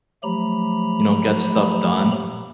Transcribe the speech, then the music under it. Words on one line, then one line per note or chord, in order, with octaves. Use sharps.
you know, get stuff done
F3 F#3 A3 G4 A#5 B5